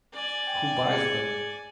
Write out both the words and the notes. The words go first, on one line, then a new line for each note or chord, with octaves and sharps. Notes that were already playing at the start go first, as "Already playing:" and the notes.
Who buys them?
D5 G#5
G5
G#4 G#6 C#7